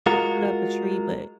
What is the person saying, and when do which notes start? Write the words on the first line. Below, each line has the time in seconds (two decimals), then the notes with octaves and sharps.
put up a tree, but
0.06 G#3 F4 F#4 A#4